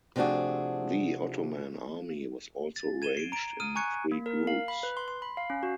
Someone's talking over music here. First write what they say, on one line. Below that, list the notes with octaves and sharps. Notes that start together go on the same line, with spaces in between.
The Ottoman army was also arranged in three groups.
C3 F3 A3 D4 F#4 G#4
A6
G#6 D#7 E7 G7
C7 D7
A#5 D7
D#6 F6 D#7
G#5 A#5 C#6 F#6 G#6 C#7
A#3
A#4
F5
B5
B4
C6
C6
B5
F5
C#4
F#4